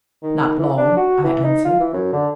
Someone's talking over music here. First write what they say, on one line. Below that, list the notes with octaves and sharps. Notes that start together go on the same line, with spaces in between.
"Not long," I answered.
D#3
E3
D4
F#4
E3
D#4
F4
E3
F#2
D3